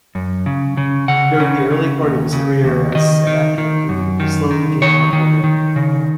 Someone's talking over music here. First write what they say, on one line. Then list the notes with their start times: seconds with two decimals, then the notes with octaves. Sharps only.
During the early part of his career as an actor he slowly gained popularity.
0.15 F#2
0.46 C#3
0.77 C#3
1.08 C#3 F#5
1.40 C#3
1.70 C#3
2.02 D#2
2.33 C#3
2.64 D#2
2.95 D#3 D#5
3.27 D#3
3.58 D#3
3.89 F#2
4.20 D#3
4.51 D#3
4.82 D#3 C#5
5.13 D#3
5.44 D#3
5.76 C#3